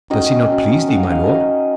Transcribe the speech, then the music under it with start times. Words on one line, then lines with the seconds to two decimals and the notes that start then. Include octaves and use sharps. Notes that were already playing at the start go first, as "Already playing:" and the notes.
Does he not please thee, my lord?
0.10 D#3 F#3 C#4 D#5
0.49 D#3 F#3 C#4
0.88 D#3 F#3 C#4 F#5
0.96 F5
1.03 D#5
1.10 F5
1.27 D#3 F#3 C#4